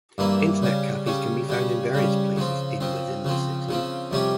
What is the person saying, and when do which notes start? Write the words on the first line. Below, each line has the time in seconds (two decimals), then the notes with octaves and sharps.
Internet cafes can be found in various places in within the city.
0.18 G2 E3 A#3 E4
0.62 C#3 G3 C#4
1.06 C#3 G3 C#4
1.49 C#3 G3 C#4
1.93 C#3 G3 C#4
2.36 C#3 F3 C4
2.80 C#3 F3 C4
3.25 C#3 F3 C4
3.69 C#3 F3 C4
4.11 F2 C3 G3 C#4 G4